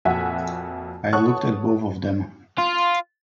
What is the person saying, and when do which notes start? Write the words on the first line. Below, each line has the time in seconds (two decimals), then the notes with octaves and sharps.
I looked at both of them.
0.05 F2 A#2 F#4 E5 F#5 G#5
1.13 A4 C#5 F#5 C#6 D#6 F#6
2.58 F4